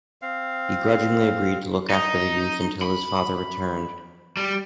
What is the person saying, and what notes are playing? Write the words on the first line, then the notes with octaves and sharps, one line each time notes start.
He grudgingly agreed to look after the youth until his father returned.
C4 F5
D#4
B5
G3